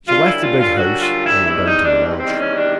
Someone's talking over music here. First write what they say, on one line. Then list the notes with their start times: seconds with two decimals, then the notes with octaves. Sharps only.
She left the big house and went down to the lodge.
0.06 F#2 D3 G3 F4
0.24 E4
0.41 F4
0.59 F4
0.77 F#2 D3 G3 F#4
1.00 F4
1.24 E4
1.47 E2 C3 D#3 G3 E4
1.65 D#4
1.83 D4
2.19 E2 C3 D#3 G3 C4
2.37 C#4
2.54 D4